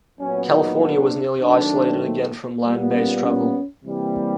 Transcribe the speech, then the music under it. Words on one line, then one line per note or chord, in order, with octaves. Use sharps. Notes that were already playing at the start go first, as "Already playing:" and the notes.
California was nearly isolated again from land based travel.
A#2 F#3 B3 C#4
D#4
D4
D#3 F#3 A3 C4 D4
A#2 G3 B3
C#4
C#4
C3 E3 G3 A#3